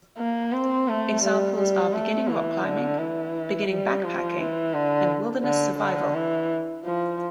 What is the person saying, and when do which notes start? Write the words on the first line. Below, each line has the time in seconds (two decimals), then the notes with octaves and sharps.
Examples are Beginning Rock Climbing, Beginning Backpacking, and Wilderness Survival.
0.18 A#3
0.53 C4
0.88 A3
1.23 G3
1.58 G3
1.93 A3
2.28 E3
2.64 D3
2.99 E3
3.69 G3
4.04 F3
4.39 E3
4.74 D3
5.44 D3
5.79 D3
6.14 E3
6.85 F3